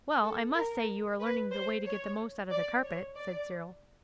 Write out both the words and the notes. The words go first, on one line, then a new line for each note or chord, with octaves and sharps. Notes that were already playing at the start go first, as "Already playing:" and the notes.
'Well, I must say you are learning the way to get the most out of the carpet,' said Cyril.
A4
A#4
B4
C5
C#5
D5
C#5
D5